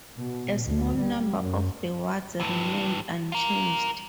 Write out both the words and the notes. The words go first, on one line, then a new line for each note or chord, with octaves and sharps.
A small number of the wards remained unchanged.
B2
D2
G3
F#2
G2 E3
F4 A#4